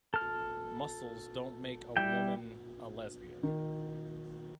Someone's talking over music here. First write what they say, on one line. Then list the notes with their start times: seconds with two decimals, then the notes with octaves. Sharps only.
Muscles don't make a woman a lesbian.
0.14 A4 F6
1.97 G3 E4 G5
3.43 D#3